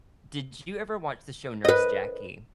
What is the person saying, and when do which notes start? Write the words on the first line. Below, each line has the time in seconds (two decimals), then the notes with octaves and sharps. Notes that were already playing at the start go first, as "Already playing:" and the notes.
Did you ever watch the show Nurse Jackie?
1.65 B4 D#5